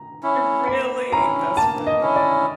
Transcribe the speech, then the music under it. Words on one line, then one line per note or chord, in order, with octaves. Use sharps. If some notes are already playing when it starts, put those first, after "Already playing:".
Really? That's funny.
Already playing: A#5
C#4 E4
A#3 B5
C#4 E4 A#5
A#3 A5
D#5
C#4 E4
D5